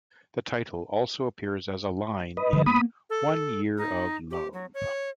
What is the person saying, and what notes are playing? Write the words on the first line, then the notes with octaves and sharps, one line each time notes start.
The title also appears as a line in "One Year of Love".
B4 D#5
D3 F3
A#3 B3 B5 D#6
A4
D#4
G4
F#3
C#5